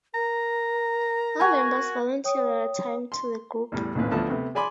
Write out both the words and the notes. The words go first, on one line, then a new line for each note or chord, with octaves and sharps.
All members volunteer their time to the group.
A#4 A#5
F#4 G#5
C#5 G5 D#6
C6
E2 A2 G3
A1 D#2 A#2 C4 B4
D2 F3 A3 B3 E4 A5
C3 A3 B3
G#4 D5 G#5 B5 C6 D6